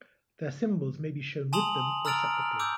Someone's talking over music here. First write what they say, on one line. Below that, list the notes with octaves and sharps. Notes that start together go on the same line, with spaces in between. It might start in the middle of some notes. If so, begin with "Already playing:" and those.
Their symbols may be shown with them, or separately.
G#5 A5 C6 D#6 F7 F#7
A#5 E6 F6 A6 D7 F7
D6 E6 G6